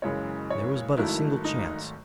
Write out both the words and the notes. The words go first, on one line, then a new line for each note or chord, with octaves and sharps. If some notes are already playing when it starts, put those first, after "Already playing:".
There was but a single chance.
F#1 F#2 C#3 E3 G#3 C#5
C#5
G#1 G#2 D#3 F#3 A3 E4
D#4